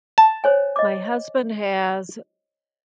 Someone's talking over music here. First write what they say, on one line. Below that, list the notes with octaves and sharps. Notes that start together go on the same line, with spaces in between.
my husband has
A5
C5 C#5 G#5
D#5 D6